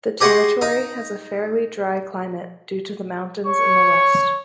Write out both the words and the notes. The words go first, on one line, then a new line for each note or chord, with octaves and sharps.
The Territory has a fairly dry climate due to the mountains in the west.
G4 G#4 D#5 F#5 C6 C#6
D#4
C#5 C#6